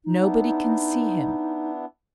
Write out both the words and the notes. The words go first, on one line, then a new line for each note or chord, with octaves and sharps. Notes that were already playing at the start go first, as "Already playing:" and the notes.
Nobody can see him.
D#4
B3 D4 E4